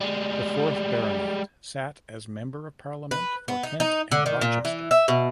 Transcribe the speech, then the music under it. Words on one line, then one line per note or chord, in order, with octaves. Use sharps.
The fourth Baronet sat as Member of Parliament for Kent and Rochester.
G3 G#3
B4
B3
D#4
D#4
D3
D#3
A#2
E3
E5
B2